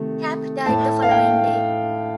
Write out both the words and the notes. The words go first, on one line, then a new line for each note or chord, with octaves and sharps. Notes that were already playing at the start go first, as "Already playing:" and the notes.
Kapp died the following day.
Already playing: C3 D#3 A3
A2 A3 A5
F5
G5